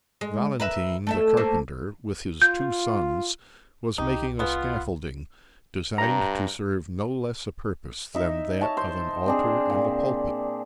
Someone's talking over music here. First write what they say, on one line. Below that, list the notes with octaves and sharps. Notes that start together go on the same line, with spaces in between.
Valentine the carpenter, with his two sons, was making a scaffolding, designed to serve no less a purpose than that of an altar and a pulpit.
G#3
A#4 B4 E5
A3 A4 E5
A3 A#3 C5
F4 G6
C2 D#4 G4
G#3 B3 F4
G2 A#5
D#4 E5
C#5 A5
C5
C4 D4 G#4
A#2